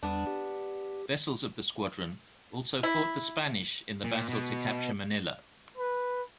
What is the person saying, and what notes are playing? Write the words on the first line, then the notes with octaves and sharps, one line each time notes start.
Vessels of the squadron also fought the Spanish in the battle to capture Manila.
E2 G3 B3 D4
G4
E4
A#2
B2
B4